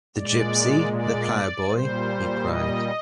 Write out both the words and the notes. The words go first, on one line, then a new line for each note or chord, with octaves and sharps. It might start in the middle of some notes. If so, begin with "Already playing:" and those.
'The gipsy — the ploughboy?’ he cried.
A#2 G#3 D5
D5
A#2 G3 C5
D#5